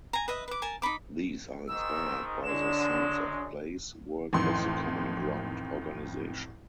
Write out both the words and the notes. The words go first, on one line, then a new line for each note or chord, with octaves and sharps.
These are inspired by the "sense of place" work of the Common Ground organisation.
G#5 A#5
B4 D#5 E5 D#6
B4 D6
A#4 G#5 A5
D#4 A4 B5 D6
G#2 D#3 E6
F#2 D3 G#3 E7
A1 F2 A2 D#3 C6